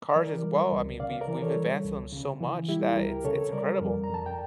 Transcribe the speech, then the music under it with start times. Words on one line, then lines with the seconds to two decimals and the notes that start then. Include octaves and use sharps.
cars, as well, I mean, we've we've advanced them so much that it's it's incredible.
0.16 E3 A#4 D5
0.44 G3
0.72 C#2
1.00 C#3 D5 F5
1.21 A#4 D5
1.28 E3
1.42 A4 C#5
1.56 G3
1.84 C#2
2.13 C#3
2.41 E3
2.68 G3 E4 G4
2.96 C#2 G4 A#4
3.25 C#3 A4 C#5
3.53 G3 A#4 D5
3.81 F2
4.04 A#5
4.09 F2
4.14 A5
4.26 G5